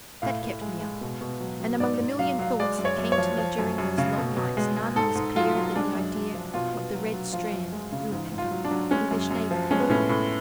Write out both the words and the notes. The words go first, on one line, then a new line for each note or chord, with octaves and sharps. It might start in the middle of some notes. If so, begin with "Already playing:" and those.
That kept me up; and among the million thoughts that came to me during those long nights none was clearer than the idea of the red strand, you remember--English navy, and all that.
A2 F5
A2
G#3
G#3
B2
B2
F#3
F#3
G#2 D5
G#2
F#3 F5
F#3 F5
G#3 D5
F#2
C#5
F#2
C#5
F3
F3
F#2
F#2
C#3
B2
B2
G#3
G#3
G#2 A4
G#2
F#3 F4
F#3
G#3 D4
F#2
F#2
F3
B2 F4
B2
F#3
F#3
F3 F4
F#2
G#3
C#3
G#2
G#2
F4
F#3
D4
F#3
G#3 C#4
F#2
F#2
F3
G#3 C#4
B3
A2 C#4
A2